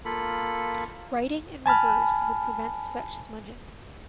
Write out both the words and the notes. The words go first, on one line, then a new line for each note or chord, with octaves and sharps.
Writing in reverse would prevent such smudging.
A#3 F4 A4 B5
G#5 A5 B5 F6